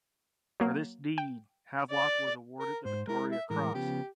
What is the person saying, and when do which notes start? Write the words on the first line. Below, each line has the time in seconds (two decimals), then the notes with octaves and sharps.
For this deed, Havelock was awarded the Victoria Cross.
0.60 F#3 A#3
1.18 G5
1.90 D5
2.59 A#4
2.85 G#2 C5
3.08 G#3 E4 A#4
3.32 E5
3.50 A2 E3 G#3 A#4
3.75 C#3 F3 B3 G4